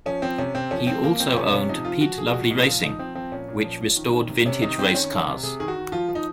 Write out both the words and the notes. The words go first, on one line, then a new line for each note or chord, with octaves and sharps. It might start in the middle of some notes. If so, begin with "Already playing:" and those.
He also owned "Pete Lovely Racing" which restored vintage race cars.
F3 C#4
F3 C4
C3 C#4
C3 C4
F3 C#4
F3 C4
F3 A#3
F3 C4
C3 C#4
C3 C#4
F3 D#4
F3 F4
F3 F#4
F3 G#4
A#2 F#4
A#2 D#4
F3 F4
F3 D#4
F3 C4
F3 C4
A#2 C#4
A#2
F3
F3
D#3
D#3
C3
C3 C#4
D#3 D#4
D#3 C4
D#3 C#4
D#3
C3
C3 G#4
D#3 G#4
F#4
D#3
F3 F4
F3
D#4